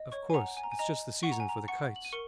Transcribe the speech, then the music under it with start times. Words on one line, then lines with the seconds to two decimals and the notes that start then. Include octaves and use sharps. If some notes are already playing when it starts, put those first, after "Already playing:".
Of course, it's just the season for the kites.
Already playing: D#5
0.12 C#5 C#6
0.30 G#5
0.34 F#5 A#5
0.57 G#5
0.63 A#5
0.72 G#5
0.79 D#5 A#5
1.23 F#5 C#6
1.32 A#5
1.40 G#5
1.49 A#5
1.68 F#5 C#6 C#7
1.96 F#7
2.05 D#7
2.12 A#4 C#6 C#7